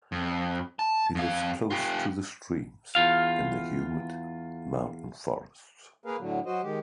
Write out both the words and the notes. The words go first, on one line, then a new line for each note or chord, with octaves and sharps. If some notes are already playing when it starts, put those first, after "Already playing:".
He lives close to the streams, in the humid mountain forests.
F2
A5
F2 F5
F4 G4
E2 F4 F5
A#3 G#4 A#4 B4 F5
A2 D3 F#3
F#3 F#4 C5 D#5
D#3 G#3 G4